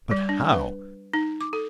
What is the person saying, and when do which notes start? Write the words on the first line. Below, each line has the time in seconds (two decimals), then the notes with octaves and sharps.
But how!
0.11 G3
0.29 D4
0.53 B4
1.14 D#4
1.41 D6
1.53 A4